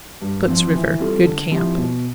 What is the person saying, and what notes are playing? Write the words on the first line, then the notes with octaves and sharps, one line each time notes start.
Soot's River.--Good camp.
G2
F3 C4
E3
G3 C4 F4 A4
D3
F3 C4 E4 G4
B2